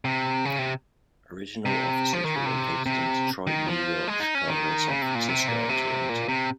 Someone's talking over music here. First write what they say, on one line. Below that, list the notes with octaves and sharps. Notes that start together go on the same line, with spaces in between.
Original offices were located in Detroit, New York, Chicago, San Francisco, and Toronto.
C3
C#3
C3
C3
F3
D#3
C#3
C3
C3
D#3
F3
G#3
D#4
C#4
D#3
C#3
C3
A#2
C3
A#2
C3
A#2
C3